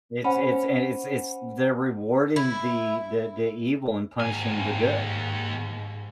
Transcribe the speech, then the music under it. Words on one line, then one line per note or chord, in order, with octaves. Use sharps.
It's it's and it's it's they're rewarding the the the evil and punishing the good.
C#4 C5 F#5 B5
E4
D#2 G#2 G#5